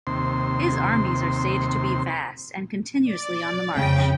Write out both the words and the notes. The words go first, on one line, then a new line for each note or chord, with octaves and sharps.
His armies are stated to be vast and continuously on the march.
D#2 C3 C6
D5
F2 C#3 G5